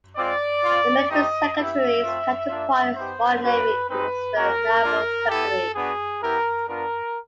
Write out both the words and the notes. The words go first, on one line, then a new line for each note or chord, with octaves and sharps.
The Military Secretary's counterpart in the Royal Navy is the Naval Secretary.
G#3 C4 F4 D5
C4 F4
A3 C4 D#4 G4 D#5
B3 E4 G4 E5
A3 C4 F4
A#3 D4 F4
B3 D#4 G4 C5
A#3 C#4 F#4 B4
G#3 C4 D#4 B4
A#3 C#4 F#4 A#4
A#3 D4 F4
B3 E4 G4 A4
B3 D4 F#4 G#4
B3 E4 G4 A#4
B3 D4 F4 A#4